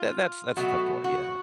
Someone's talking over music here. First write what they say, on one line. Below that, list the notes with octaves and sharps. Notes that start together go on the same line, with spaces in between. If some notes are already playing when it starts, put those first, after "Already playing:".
That that's that's tough to wa yeah.
Already playing: F4
B2 F#3 A3 F#4
F#4